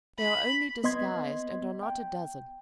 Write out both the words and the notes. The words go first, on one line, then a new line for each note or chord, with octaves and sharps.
They are only disguised, and are not a dozen.
B5
B3 D#5 C6 G#6
G5